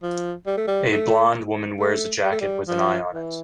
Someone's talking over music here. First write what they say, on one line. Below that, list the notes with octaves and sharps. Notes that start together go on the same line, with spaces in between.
A blond women wears a jacket with an eye on it.
F3
G3
A3
G3
A3
A3
G3
A3
G3
F3
E3